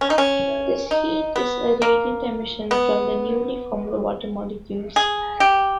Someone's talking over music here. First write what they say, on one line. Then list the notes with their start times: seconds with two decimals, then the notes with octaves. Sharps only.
This heat is a radiant emission from the newly formed water molecules.
0.01 C#4
0.10 D#4
0.18 C#4
0.91 D#4
1.36 B3
1.82 A#3
2.71 B3
4.96 G#4
5.40 G4